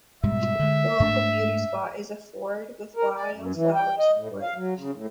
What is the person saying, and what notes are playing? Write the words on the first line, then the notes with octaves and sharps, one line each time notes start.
The local beauty spot is a ford with wild flowers and a wood.
G#2 B2 G3 E5
D3 G#3
G#2 A3 D4
A#4
D5
F#2
E3
G5
D#5
A2
G2
F5
F#3
C#3
A2